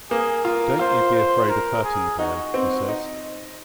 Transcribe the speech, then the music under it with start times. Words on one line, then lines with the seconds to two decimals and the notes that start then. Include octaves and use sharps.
"Don't you be afraid of hurting the boy," he says.
0.10 A#3 G#4
0.45 F4 A#4
0.79 F4 C5
1.15 C5
1.49 A#4
1.84 G#4
2.19 D#4 F#4
2.54 C4
2.89 D#4